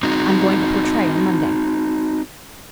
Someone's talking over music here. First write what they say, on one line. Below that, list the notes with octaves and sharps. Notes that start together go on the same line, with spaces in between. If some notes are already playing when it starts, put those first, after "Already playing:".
"I am going to Portray on Monday."
C4 D#4 F#4